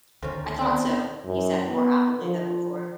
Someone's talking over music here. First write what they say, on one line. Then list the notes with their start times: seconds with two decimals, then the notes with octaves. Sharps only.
'I thought so,’ he said, more affably than before.
0.23 D2 D#3 C4 C#4 A4
0.61 B3 C4 D4
1.25 F#2
1.69 B3
2.22 F3